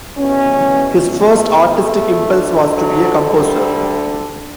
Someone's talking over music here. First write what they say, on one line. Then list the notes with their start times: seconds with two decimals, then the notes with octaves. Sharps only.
His first artistic impulse was to be a composer.
0.17 E2 B2 C#4
1.21 A3
1.73 A3
2.25 D2 D3
2.77 F#3
3.29 G3